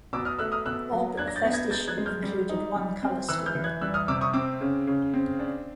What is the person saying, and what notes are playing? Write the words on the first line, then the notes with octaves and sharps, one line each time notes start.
All but the first issue included one color story.
B2 D6 E6
D#6 F6
A3 E6 F#6
D#6 F6
B2 E6 F#6
F#3
D4 F#6 G#6
A#6
G6 A6
B3
G#6 A#6
G#3 G6 A6
F#6 G#6
G#3
F6 G6
G3
D#4
G3
C4
E3 E6 F#6
F6 G6
E3
F#6 G#6
G3 E6 F#6
D#6 F6
C3 D6 E6
C#6 D#6
C4 D6 E6
C#3
C#3
C4
D4